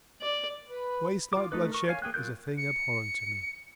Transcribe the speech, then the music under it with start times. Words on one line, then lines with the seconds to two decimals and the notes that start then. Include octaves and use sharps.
Waste, like bloodshed, is a thing abhorrent to me.
0.22 D5
0.70 B4
1.33 F4 D6
1.52 A3 D#4 B4
1.72 A#4 C#6
1.88 C#5 F5 G#5
2.02 A#3 G#4 G5 F#6
2.14 F#3 F4 A#4 F#6 G6
2.58 C#7